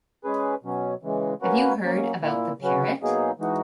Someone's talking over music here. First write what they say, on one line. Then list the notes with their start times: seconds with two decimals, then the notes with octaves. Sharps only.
Have you heard about the parrot?
0.24 G#3 C#4 G#4 B4
0.63 B2 F#3 C#4
1.02 C#3 E3 G#3
1.42 A#3 C#4 F#4 B4
1.82 F#3 A#3 C#4
2.21 A#2 A#3 E4
2.61 C#3 F#3 C#4 F#4 B4
3.00 B2 F#3 A#3 D#4 G#4
3.39 E3 G#3 D#4 F#4